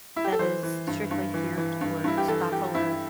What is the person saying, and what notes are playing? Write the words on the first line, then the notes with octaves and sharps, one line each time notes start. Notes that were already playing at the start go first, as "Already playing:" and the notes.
that is strictly geared towards bipolar
E4
G4
A4
E3 C5
E3
G2
G2
E3
E3
G2
G2 E4
G4
E3 A4
E3 G4
G2 E4